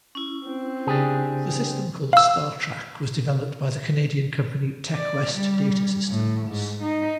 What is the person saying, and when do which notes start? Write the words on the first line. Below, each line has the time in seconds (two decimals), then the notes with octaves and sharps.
The system called Startrack was developed by the Canadian company Techwest Data Systems.
0.15 C#4 E4
0.46 C4
0.87 C#3 D4 G4 G#4
2.13 F5 E6
4.95 D5
5.33 G3
6.09 A2
6.50 G#2
6.82 D#4